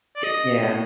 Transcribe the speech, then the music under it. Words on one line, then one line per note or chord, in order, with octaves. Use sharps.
Eh, yeah.
D5
D#5